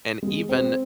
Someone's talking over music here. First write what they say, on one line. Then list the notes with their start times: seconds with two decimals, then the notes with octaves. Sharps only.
and even
0.23 G#3
0.49 C4